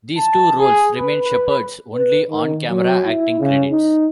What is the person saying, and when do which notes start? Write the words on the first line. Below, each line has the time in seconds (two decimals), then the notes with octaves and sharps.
These two roles remain Sheppard's only on-camera acting credits.
0.18 A5
0.59 G#4
0.97 B4
1.27 B4
1.94 B4
2.30 D#3
2.69 F#3
3.06 E4
3.40 C#3
3.71 D#4